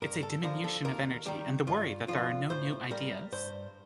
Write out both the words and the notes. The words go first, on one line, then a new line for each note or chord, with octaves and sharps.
It's a diminution of energy and the worry that there are no new ideas.
G2 A#4
A4
D3 F3 A#4
A4
D#2 A#4
D#3 G3 G4
G2 F4
D3 F3 F4
A2 C5
G3 A#4
G2 C5